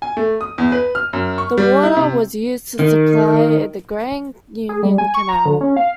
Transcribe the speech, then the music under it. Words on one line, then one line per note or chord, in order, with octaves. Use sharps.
The water was used to supply the Grand Union Canal.
G#5
A3
D#6
E2
B4
F6
F#2
C#6
G3
E4
C3
D#3
G#4
G3
G#5
C#6
A#5
D3
C#4
F5